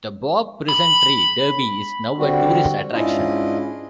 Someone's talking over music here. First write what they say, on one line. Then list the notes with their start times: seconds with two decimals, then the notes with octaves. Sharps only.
The Boab Prison Tree, Derby is now a tourist attraction.
0.69 B5
2.18 D3 G3 C4 F#4
2.93 G#2 C#4 D4 E4 F4 D#5